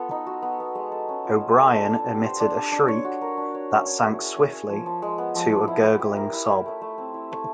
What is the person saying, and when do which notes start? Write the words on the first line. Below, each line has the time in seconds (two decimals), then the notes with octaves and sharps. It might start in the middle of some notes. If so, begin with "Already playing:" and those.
O'Brien emitted a shriek that sank swiftly to a gurgling sob.
Already playing: B3 F4 A4
0.11 D#4
0.27 F#4
0.42 B3
0.60 B3
0.75 G#3
0.92 A4
1.09 C#4
1.25 F4
1.41 G#3
1.58 A4
1.74 D4
1.91 D4
2.06 G4
2.24 C5
2.40 D4
2.57 D4
2.72 D4
2.88 C#5
3.05 F#4
3.21 A#4
3.37 D4
3.55 C#5
3.71 C#4
3.86 C#5
4.03 E4
4.20 G#4
4.37 C#4
4.52 C#5
4.69 F3
4.86 F3
5.02 G#3
5.18 B3
5.35 F3
5.52 F3
5.68 E4
5.83 E4
5.99 G4
6.16 A#4
6.33 E4
6.50 E4
6.66 A3
6.81 A3
6.98 C4
7.14 E4
7.32 A3